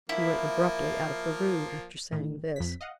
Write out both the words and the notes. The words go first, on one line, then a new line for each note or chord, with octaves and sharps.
He went abruptly out of the room after saying this.
F3 A#3 E4
A2 D#3
F2 B6
D#5 F5 F#5